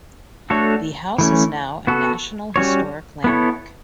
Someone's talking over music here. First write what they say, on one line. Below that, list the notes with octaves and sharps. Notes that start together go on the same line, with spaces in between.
The house is now a National Historic Landmark.
A3 D4 F#4 A4 C#5
E3 A3 C#4
B3 F#4 A4
G3 C#4 F#4 C#5
B3 E4 A4 C#5